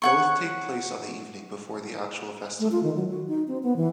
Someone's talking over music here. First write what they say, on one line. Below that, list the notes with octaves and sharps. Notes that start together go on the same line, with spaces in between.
Both take place on the evening before the actual festival.
C#5 F#5 C#6
A3
F4
D#3
F#3
F#4
D#4
C4
B3
E3